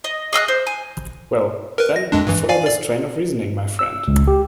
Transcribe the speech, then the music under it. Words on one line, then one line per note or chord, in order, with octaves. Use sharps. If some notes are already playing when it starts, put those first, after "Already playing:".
Well, then, follow this train of reasoning, my friend!
D#5
G#4 D#5 E6 F#6
C5
G#5
A#4 B4
A#6
F2 G#3 D4
G2 E3
D5 F5 G#5
D5
E6
C#2
G4